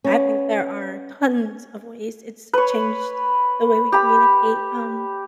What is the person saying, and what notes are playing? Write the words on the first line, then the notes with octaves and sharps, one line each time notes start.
I think there are tons of ways it's changed the way we communicate. Um
B3 C#4
B4 C#5
G4 B5